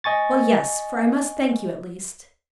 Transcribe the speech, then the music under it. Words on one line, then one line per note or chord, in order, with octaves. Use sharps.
"Well, yes! for I must thank you at least."
D#5 G#5 C#6 A6